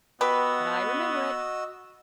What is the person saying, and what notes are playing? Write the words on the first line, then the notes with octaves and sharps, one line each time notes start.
But I remember it.
B3 F#4 G4 B4 D#5 E6